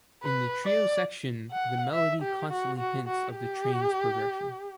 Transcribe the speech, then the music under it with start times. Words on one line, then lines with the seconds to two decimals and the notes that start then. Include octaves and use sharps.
In the trio section the melody constantly hints of the train's progression.
0.23 B4
0.66 D5
1.51 F#5
1.93 E5
2.22 G4
2.51 F#4
2.79 F#4
3.08 F#4
3.35 G4